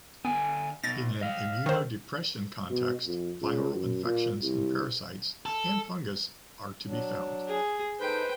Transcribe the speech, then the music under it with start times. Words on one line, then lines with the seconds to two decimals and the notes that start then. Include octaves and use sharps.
In an immunodepression context, viral infections and parasites and fungus are to be found.
0.25 D3 B3 G5 G#5
0.84 B2 D#4 A6 A#6
1.21 D#5 F5
1.66 D#3 C5
2.70 B2
3.06 F2
3.41 C#2
3.74 F#2
4.04 A#2
4.42 C2
5.46 A4
6.86 F#3 D4
7.48 G#4
8.00 D#4 A4 B4 C5 G5